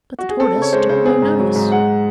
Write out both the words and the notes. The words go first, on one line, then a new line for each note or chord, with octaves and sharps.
But the tortoise took no notice.
F#4
G#4
C4 A4
C#3
C#5
G#3 C5
C#3 C5
C4 G#4
G#2
F#3
G#2
G#3 F#5